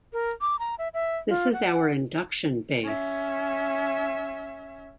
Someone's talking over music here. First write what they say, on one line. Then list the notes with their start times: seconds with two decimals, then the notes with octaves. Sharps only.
This is our induction base.
0.13 A#4
0.41 D6
0.59 A#5
0.79 E5
0.94 E5
1.29 F4
1.53 F#5
2.84 C#4 E5